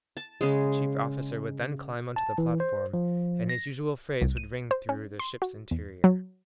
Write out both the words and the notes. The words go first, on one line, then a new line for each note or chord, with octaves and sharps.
The chief officer would then climb onto the platform, and his usual phrase would ring through the ship's interior.
A5
C#3 G#3
A5
E3
C5
F3
A#6
C2
D#7
C5
C#4
C6
F#4
E2
F#3